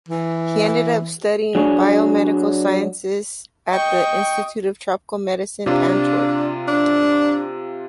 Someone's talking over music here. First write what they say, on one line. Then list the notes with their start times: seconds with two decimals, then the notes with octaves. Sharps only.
He ended up studying biomedical sciences at the Institute of Tropical Medicine Antwerp.
0.08 E3
1.55 F#3 D4 G#4 C#5
3.72 D#5 G5 C#6
5.66 C3 D4 F4
6.68 D4